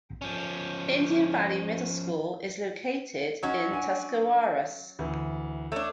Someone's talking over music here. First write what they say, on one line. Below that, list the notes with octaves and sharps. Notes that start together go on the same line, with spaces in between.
Indian Valley Middle School is located in Tuscarawas.
F3 C#4
F#3 C#4 D#4 F#4
D4 F#5 G#5
D2 E3
A3 D4 C#5